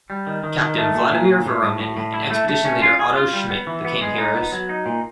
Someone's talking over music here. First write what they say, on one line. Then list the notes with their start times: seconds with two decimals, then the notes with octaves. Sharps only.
Captain Vladimir Voronin and expedition leader Otto Schmidt became heroes.
0.10 G3
0.27 D#3
0.44 D#3
0.61 D#3
0.77 A3
0.94 A#2
1.11 A#2
1.29 A#2
1.46 A2
1.63 A2
1.80 A2
1.97 A2
2.14 E4
2.31 A3
2.48 A3
2.65 C#4
2.82 F4
2.99 G#4
3.16 F4
3.33 G3
3.50 B3
3.67 E3
3.85 B3
4.01 G#3
4.18 D#4
4.36 B3
4.52 F#3
4.69 D#4
4.86 A#2